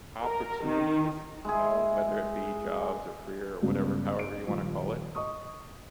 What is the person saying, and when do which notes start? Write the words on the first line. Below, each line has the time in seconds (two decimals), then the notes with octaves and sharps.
opportunities, you know, whether it be jobs or career or whatever however you wanna call it,
0.22 A#4
0.65 D#3
1.45 G#3 E4 G#4
3.62 G2 C#3 G#3 B3
4.19 D7
4.47 D#1 F3 F4
5.15 D#5 C#6 D#6